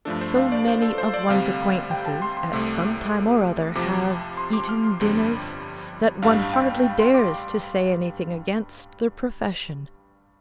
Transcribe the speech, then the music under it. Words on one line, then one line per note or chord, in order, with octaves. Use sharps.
So many of one's acquaintances at some time or other have "eaten dinners" that one hardly dares to say anything against the profession.
G2 F3 A3 D4 A4
C5
F5
D5
C5
A4
C5
D5
D2 C3 G3 C4 F5
G5
A5
C6
C6
C2 C3 A3
F2 C3 F3 D6
C6
D6
F6
C6
G1 F2 C3 G3 D4
A1 G2 G3 D4 F5
G5
G5
C6
D6